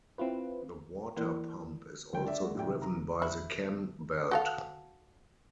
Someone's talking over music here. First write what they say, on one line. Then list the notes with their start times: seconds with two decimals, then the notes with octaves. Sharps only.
The water pump is also driven by the cam belt.
0.18 C4 E4 F4 B4
1.16 E3 A#3 E4 A#4 D5
2.13 C#2 D3 G5
2.25 D4 D5 E5
2.41 G#3 F#4
2.55 A2 G4 D5 G5
2.67 C3 D#3
2.82 A#5
3.22 E4
4.31 F#4 A4 F5